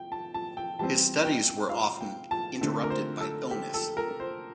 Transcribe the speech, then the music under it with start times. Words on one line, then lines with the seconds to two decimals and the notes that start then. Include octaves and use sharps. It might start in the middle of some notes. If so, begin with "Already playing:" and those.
His studies were often interrupted by illness.
Already playing: G5
0.12 A5
0.34 A5
0.57 G5
0.79 E3 G3 C4 A5
1.25 G5
1.48 G5
1.69 F5
2.01 G5
2.31 A5
2.61 D3 A3 C4
2.83 A#4
2.90 C5
3.21 A4
3.51 G4
3.74 A4
3.97 A#4
4.20 C5